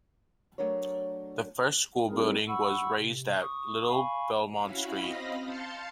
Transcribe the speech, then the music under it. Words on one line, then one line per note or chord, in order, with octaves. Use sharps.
The first school building was raised at Little Belmont Street.
F#3 A3 D4 A#4 C#5
G3 C4 D#4 E4 G#4 A#4
F#5 B5 C#6 E6
C3
C#6 D#6
F5 G#5 B5 C#6
C#4 E4 F#4 F5 B5
C4 D#5 F5 B5 A#6
F5 A5 C6 G6 A6 C#7